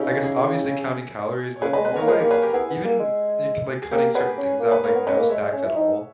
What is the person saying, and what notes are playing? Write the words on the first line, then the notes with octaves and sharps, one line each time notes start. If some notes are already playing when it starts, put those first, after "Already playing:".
I guess, obviously counting calories, but more, like, even, y like, cutting certain things out, like no snacks at all.
Already playing: C#3 C#4 D#4 E4 G4
E4 G#4
C#5
C#3 G#4 B4
B4 D#5
G#3
B4 D#5
B3 A#4 C#5
A#3
G#3 G#4 B4
A#3 G4 A#4
G#4 B4
G4 A#4
B3 E4 G#4
B3
A#3
G#3
G#4
A#3 G4 A#4
B3 G#4 B4
C#4
A#3
B4
A#3 A#4 C#5
B3
C#4 B4 D#5
A#3
G#3 C#5 E5
G#3
C#4
E4
D#4